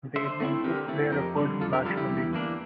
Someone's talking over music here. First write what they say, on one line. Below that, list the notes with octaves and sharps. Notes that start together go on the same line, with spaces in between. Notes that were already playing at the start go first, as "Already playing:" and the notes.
They then took their efforts nationally.
D3 C5 E5
A3 C4 E4
D3 G4 A#4
A3 C4 E4
F2 G4 A#4
D3 G3
F2 F4 A4
G4 A#4
D3 G3 F4 A4
E4 G4
E2
E3 A#3 D4